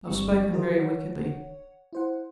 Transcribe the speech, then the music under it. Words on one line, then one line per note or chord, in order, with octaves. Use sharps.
I've spoken very wickedly.
G1 G3 C4 D4 C#6 E6
F#3 F#4 G#4 A#4 C5 D#5
C#5 F#5
E4 C5 F#5